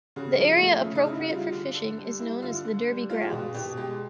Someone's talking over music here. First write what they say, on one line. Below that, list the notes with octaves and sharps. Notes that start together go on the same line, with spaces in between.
The area appropriate for fishing is known as the derby grounds.
C#3 F#4
F3
E4
A3 F4
C#3
D#4
C#3 E4
F#4
G3 F4
D3
D3
G3
G3 E4
D3 F4
D3
G3
G#3 F4
G4
B2 F#4
B2 G4
G#3 G4